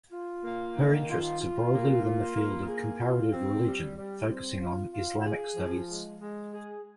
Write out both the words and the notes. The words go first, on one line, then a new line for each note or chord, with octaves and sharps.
Her interests are broadly within the field of Comparative Religion focusing on Islamic studies.
F4
A#3
D#3
F4
F4
A#3
F4
A#3
G#4
F4
C4
G3
G3
C4
F4
F4
G#4
F3
G#3
G#3
G#4